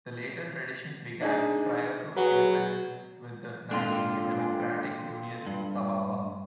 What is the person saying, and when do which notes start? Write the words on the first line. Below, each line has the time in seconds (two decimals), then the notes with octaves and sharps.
The latter tradition began prior to independence with the Nigerien Democratic Union-Sawaba.
1.21 D4 D#4 G#4
2.16 F#3 F#4 G#4 B4
3.71 G#1 A#2 D4 F4 A4 G5 C6
5.46 G2